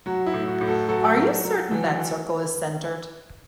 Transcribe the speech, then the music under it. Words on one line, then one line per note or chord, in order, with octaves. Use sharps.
Are you certain that circle is centered?
F#3 F#4
E4
A2
F#4
A2
F#4 A4
F#3 F#4 A4
F#3
F#3
E3